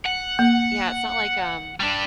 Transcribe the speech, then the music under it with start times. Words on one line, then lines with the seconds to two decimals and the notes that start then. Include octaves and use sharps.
Yeah, it's not like, um,
0.06 F#5
0.39 A#3
1.80 G3 D4